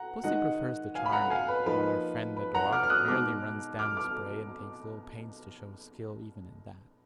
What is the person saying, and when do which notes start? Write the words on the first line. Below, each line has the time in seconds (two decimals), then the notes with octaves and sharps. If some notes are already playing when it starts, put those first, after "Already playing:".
Pussy prefers the charming, while our friend the dog merely runs down his prey, and takes little pains to show skill even in that.
Already playing: F#5 A#5
0.24 D#3 G#3 D#4 D#5 F#5
0.95 F5 G#5
1.06 B5
1.12 F#5 A#5
1.30 F5 G#5
1.48 B4
1.66 F3 A#3 D#4 B4
2.37 B4
2.55 F#5 A#5
2.72 D6 F6
2.83 F6
2.90 D#6 F#6
3.08 B2 G#3 D#4 D6 F6
3.79 D6 F6
3.97 D6 F6